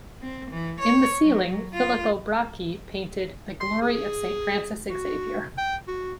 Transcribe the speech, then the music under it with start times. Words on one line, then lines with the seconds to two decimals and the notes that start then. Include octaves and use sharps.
In the ceiling, Filippo Bracci painted "The Glory of Saint Francis Xavier".
0.22 C4
0.50 E3
0.80 C#5
1.22 F#3
1.74 F4
3.60 C6
3.81 G#4
4.90 F#4
5.58 G5
5.88 F#4